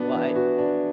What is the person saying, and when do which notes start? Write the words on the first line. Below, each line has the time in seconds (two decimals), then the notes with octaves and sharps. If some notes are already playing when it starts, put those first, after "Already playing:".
well, I
Already playing: B3 D4 F#4
0.13 E3
0.36 F#4
0.58 D4